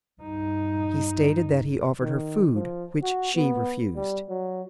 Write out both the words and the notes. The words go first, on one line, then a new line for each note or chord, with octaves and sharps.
He stated that he offered her food, which she refused.
G2 D#4
D#3
F3
F#4
B3
G3
F#3